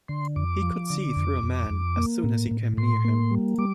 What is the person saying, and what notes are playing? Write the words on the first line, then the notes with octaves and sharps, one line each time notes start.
He could see through a man as soon as he came near him.
D3 C6
F2 D6
F3
D3
F2
F2
F2
A#3
A2
A2
A2 C6
A#3
G3
G3 D6